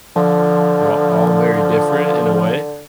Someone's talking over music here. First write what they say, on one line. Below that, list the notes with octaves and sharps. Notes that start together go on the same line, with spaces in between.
va all very different in a way,
D3 F3